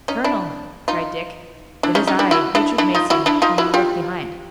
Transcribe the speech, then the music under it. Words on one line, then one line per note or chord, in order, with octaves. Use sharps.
"Colonel," cried Dick, "it is I, Richard Mason, whom you left behind!"
C#4 D#4
D4 E4
D#4 F4
D4 E4
C#4 D#4
C#4 D#4
D4 E4
E4 F#4
D4 E4
D4 E4
D#4 F4
E4 F#4
D4 E4
D#4 F4
E4 F#4
F4 G4